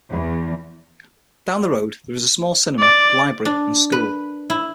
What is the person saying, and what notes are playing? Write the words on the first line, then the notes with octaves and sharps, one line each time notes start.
Down the road there is a small cinema, library, and school.
E2
D5
D4
B4
E4